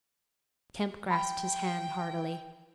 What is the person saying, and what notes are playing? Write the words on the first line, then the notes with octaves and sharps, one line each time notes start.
Kemp grasped his hand heartily.
G5 B5